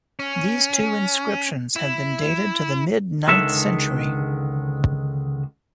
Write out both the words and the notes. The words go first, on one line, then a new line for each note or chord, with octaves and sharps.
These two inscriptions have been dated to the mid ninth century.
C#4
E4
C#2 D3 D#3 G#3 A4 E5